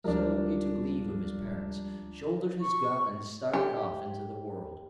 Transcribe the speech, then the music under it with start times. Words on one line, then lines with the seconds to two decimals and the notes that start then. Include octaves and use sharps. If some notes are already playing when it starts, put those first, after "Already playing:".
So he took leave of his parents, shouldered his gun, and started off into the world.
0.04 D2 F3 G3 G#3 D4 A#4
2.61 C#6
3.53 G4